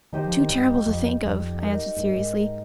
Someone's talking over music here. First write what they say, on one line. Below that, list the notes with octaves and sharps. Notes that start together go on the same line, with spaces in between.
"Too terrible to think of," I answered seriously.
D#3 D#4 G4 C5 D#5
F3
D#3
G2
F2
F2
D#4 A#4 D#5
G2
G#2